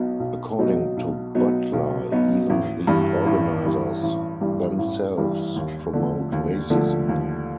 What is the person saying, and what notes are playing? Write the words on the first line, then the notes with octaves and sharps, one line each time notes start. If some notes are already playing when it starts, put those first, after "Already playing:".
According to Butler, even the organizers themselves promote racism.
Already playing: B1 B2 F#3 B3 D#4
B1
B2 F#3 B3 D#4
B1
B2 F#3 B3 D#4
B1
B2 F#3 B3 D#4
A1
G2 E3 G3
A1
G2 E3 G3
A1
G2 E3 G3
A1
G2 E3 G3
D#2
D3 F3 A3
D#2
D3 F3 A3
D#2